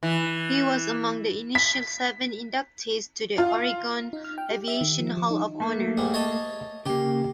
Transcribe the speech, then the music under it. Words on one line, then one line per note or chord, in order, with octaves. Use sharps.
He was among the initial seven inductees to the Oregon Aviation Hall of Honor.
E3
B6
F4
D#4
F6
G5
G4
E5
D#3
F3
F3
D#4
A3 A#3
G#2 G3
C#5 D#5 A5
C#3 A#3 G4